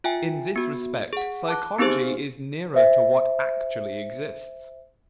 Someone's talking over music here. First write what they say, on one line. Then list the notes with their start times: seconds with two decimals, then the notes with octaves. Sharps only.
In this respect psychology is nearer to what actually exists.
0.04 F4 E5 G5 G#5
0.56 B3 F#4
1.13 G#4 F#5
1.48 A5 D6 F#6
1.78 B3 C4 D#4 G4 G#4 C5
2.74 C5 E5